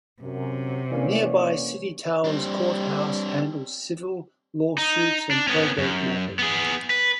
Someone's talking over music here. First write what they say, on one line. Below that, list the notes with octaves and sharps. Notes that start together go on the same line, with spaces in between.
The nearby City Towers courthouse handles civil lawsuits and probate matters.
F#2 C3
E2 E3 A#3 C#4 C#5 D5
G3 C4 D4
D#4
D4
B3 C#4
F#2
B3 G#4
B4